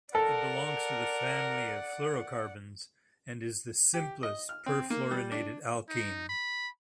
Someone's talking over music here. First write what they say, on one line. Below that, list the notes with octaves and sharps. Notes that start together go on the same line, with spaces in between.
It belongs to the family of fluorocarbons and is the simplest perfluorinated alkene.
A4 A#4 D5 F#5
G4
D#5
F6
C4
A#3
G3
D4
D#4
B5